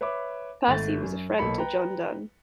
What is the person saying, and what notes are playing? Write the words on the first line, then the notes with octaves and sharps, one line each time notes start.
Percy was a friend to John Donne.
B4 C#5 E5 B5 D6
G#1 A3 A6
F#2
B1 A#3 A4 B5 C#7
B4 G5 A#5